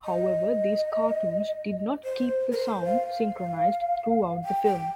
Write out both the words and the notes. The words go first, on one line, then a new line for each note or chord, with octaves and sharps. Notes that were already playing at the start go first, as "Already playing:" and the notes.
However, these cartoons did not keep the sound synchronized throughout the film.
D#5
C5
A#4
C5
F5
G5
G5